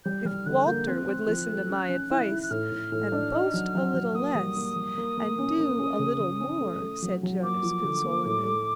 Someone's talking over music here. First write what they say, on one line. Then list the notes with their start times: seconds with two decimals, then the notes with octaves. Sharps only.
'If Walter would listen to my advice, and boast a little less, and do a little more,' said Jonas, consolingly.
0.05 G3 G6
0.25 G3 F6
0.46 D3 F#6
0.66 A#3 G6
0.87 C4 F#6
1.08 C4
1.27 F3
1.48 A3
1.69 C#4
1.89 C#4
2.10 E4
2.31 E4
2.43 F#6
2.50 A2 F6
2.72 A2
2.92 A2
3.12 D4
3.32 D#4
3.54 F#3
3.75 F#3
3.94 F#3
4.15 A#3 D#6
4.35 G3
4.56 A#3
4.76 G3
4.97 A#3
5.17 A#3
5.38 C#4
5.59 A#3
5.78 C#4
5.99 C#3
6.19 C#3
6.40 C#4
6.60 A3
6.81 A3
7.02 F#3
7.23 F#3
7.43 A#3 D6
7.63 F3
7.84 D3
8.04 A#3
8.26 A2
8.45 A3